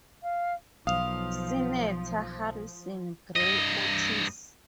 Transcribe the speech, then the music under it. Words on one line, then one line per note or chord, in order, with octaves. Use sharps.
Senator Harrison Gray Otis.
F5
B1 F3 F5 D#6 F7
G2 D#5